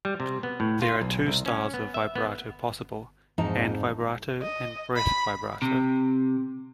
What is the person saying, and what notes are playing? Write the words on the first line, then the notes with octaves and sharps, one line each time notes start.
There are two styles of vibrato possible, hand vibrato and breath vibrato.
G3
C3
B3
A2
F4
B1
C2
C#4
B3
E5
B3
F2 G#2 D#4 A5 A#5
D#5
B5
C3